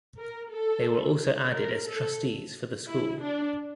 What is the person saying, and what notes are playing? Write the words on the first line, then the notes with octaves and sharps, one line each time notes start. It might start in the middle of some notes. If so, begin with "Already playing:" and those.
They were also added as trustees for the school.
A#4
A4
A#4
A4
E4
D4